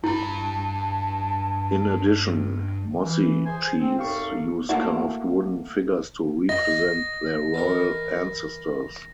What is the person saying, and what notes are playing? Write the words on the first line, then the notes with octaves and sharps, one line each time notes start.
In addition, Mossi chiefs use carved wooden figures to represent their royal ancestors.
G2 E4 A5 B5
E3
G#4 C5 G#5
C4
F#2 D#4 G4 A4 F5 C#6
A3 A#3 E4 F#4
D#5 A#6
E3 A#4